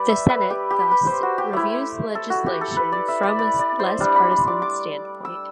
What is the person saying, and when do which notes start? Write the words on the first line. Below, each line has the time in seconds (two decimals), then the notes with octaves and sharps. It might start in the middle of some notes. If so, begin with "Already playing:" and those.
The Senate, thus, reviews legislation from a less partisan standpoint.
Already playing: G3 G4 B4 D5
0.09 E5
0.30 B4
0.50 G4
0.70 G4
0.91 B4
1.07 C5
1.23 F#4
1.38 G4
1.53 A3 E4
2.15 A4
2.30 F#4
2.46 G4
2.61 A4
2.77 B4
2.92 D5
3.08 E5
3.23 D5
3.39 D5
3.59 D5
3.80 C5
4.00 G3 D4 D5
4.16 B5
4.32 C6
4.47 D6
4.62 D6
5.25 E6